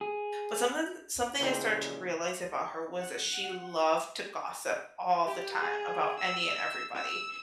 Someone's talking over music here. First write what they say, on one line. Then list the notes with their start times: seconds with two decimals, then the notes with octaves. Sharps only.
but something something I started to realize about her was that she loved to gossip all the time about any and everybody.
0.01 G#4
1.41 A#2 C#3 E3 G3 D#4 C5
2.98 F#5
5.25 G4
5.59 G#4
6.18 E6
6.95 E6